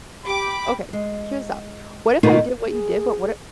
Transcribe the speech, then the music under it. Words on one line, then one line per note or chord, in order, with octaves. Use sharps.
okay, here's up, what if I did what you did, but what I
G4 B5 D6
G#3
B2 D#3 A3 A#3 D#4 F4
G#4